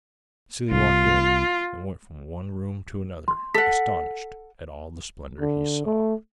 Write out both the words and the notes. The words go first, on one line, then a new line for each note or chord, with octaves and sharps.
Vassili walked in, and went from one room to another astonished at all the splendour he saw.
C2 F4
C6
A4 F#5 B6
D3
A3